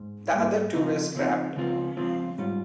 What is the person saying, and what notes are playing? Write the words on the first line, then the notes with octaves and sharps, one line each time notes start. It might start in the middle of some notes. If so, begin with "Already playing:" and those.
The other two were scrapped.
Already playing: G#2
G#2 G3 A#3
C#3 F3 C4 D#4
C#3 F3 C4 D#4
C#2 C#3 F3 C4 F4
C#2 C#3 F3 C4 F4
G#2 G3 C#4 F4